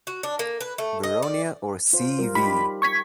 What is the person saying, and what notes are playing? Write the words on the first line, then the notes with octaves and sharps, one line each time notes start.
Vironia or C!V!
F#4
D4
A#3
B4
A3
D#5
D5
F4 C5
G3 F4 A#4
D#4 F4 G4 B5
C#6 G#6 B6